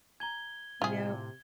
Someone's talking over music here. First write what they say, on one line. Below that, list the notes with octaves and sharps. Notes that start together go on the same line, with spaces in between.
You know
G#5 A#5 G#6 G7
A2 C3 F4 G#4 E5